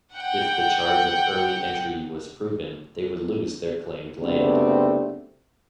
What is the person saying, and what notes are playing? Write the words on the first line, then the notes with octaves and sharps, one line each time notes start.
If the charge of early entry was proven, they would lose their claimed land.
F#5 G5
F#1 C3 A3 B3 C4 D4